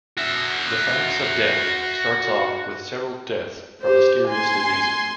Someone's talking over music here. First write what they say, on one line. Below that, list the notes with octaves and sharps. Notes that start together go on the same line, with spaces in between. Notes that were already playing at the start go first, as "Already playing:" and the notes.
"The Facts of Death" starts off with several deaths from mysterious diseases.
F#4 E5
G4 C5
G#5 C6